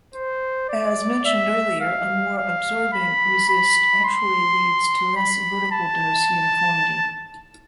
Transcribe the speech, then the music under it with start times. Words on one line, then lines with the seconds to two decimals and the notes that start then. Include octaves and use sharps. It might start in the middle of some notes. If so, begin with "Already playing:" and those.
As mentioned earlier, a more absorbing resist actually leads to less vertical dose uniformity.
0.14 C5
0.69 D5
1.26 E5
1.81 F5
2.37 F5
2.93 B5
3.49 B5
4.05 C6
5.16 B5
5.72 A5